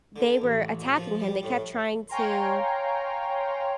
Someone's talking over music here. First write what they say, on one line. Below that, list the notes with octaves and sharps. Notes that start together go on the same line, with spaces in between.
they were attacking him, they kept trying to
D3
A1
A#2
F3
G3
A2
C#5 F5 G5 G#5 A#5 C6